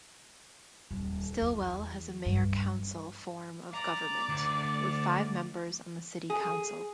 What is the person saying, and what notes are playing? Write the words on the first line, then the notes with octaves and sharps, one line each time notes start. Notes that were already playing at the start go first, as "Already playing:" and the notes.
Stilwell has a mayor-council form of government, with five members on the city council.
D#1
E2
G2
D5 A#5
D2
G#4